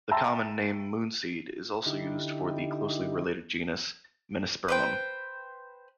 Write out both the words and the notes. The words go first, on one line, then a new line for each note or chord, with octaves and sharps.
The common name Moonseed is also used for the closely related genus "Menispermum".
E5 G5 A5 A#5 C6 E6
D3 D#4 E4 G4
B4 C5 G5